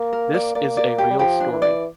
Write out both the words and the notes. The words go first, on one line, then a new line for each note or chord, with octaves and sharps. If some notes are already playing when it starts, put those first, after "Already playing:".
This is a real story.
Already playing: A#3
A#4
D5
A#3 D5
D5
G4
G3
F3 G4
D4
E3
D5